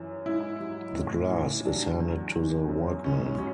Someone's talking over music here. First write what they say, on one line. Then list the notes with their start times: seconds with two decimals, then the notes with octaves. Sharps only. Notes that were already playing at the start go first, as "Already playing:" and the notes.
The glass is handed to the workman.
Already playing: F#2 E3
0.25 G#2 E4
0.60 F#3
0.95 A2
1.30 E3
1.65 F#3 D4
2.00 E2
2.34 E3
2.69 F#2
3.04 G#2 C#4
3.38 F#3 C#4